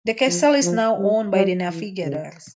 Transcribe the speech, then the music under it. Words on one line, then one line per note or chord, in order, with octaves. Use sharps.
The castle is now owned by The Navigators.
F3
F3
G3
G3
E3
C#3